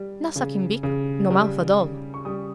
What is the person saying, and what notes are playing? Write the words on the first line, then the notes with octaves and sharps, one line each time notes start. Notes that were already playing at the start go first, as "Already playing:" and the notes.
No sucking-beak, no mouth at all.
Already playing: G3
C#3
C#3
G3
G3
C#6
G3 D#6